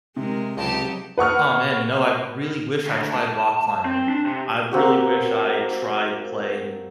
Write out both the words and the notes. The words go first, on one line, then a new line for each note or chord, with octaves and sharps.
"Aw, man," you know, "I really wish I tried rock climbing. I really wish I tried playing,
C3 G#3 A#4
C#2 F#3 C4 D#4 G4 A5
B4 F#5 C#6 F6
D2
A5
C4
D4
C3
A#3 C4 F#4 G4